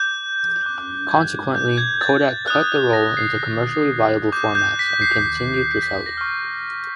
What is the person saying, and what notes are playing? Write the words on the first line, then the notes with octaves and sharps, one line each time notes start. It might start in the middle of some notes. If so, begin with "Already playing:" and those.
Consequently, Kodak cut the roll into commercially viable formats and continued to sell it.
Already playing: D6 G6
D6 F#6
G#6
G6
G#6
A6
D#6 F#6
A#6
C7
A#6
D6 G6
G6
B6
C7
C7
B6
A#6
C#6 F6